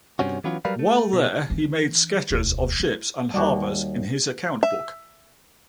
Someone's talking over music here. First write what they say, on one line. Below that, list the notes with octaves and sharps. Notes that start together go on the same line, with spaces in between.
While there, he made sketches of ships and harbors in his account books.
G2 C3 C#4 F#4
E3 F#3 B3 C#4 F4
F#3 G3 A#4 B4 D5 F5
A3
B2
E3 D4
E1 D2
E4
D#2 G3 F#4 D5
E5